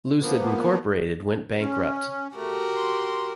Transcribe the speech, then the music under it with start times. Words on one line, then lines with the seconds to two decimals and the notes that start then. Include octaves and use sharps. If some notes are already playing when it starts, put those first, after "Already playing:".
Lucid Incorporated went bankrupt.
0.21 F3 A#3 B3
1.60 C#4
2.35 A3 F#4 G4 A#4
2.76 C6